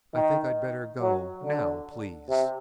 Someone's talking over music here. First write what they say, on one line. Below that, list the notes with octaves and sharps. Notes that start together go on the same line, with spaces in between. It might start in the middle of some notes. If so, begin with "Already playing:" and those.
"I think I'd better go, now, please."
D#3
F#3
D3
C3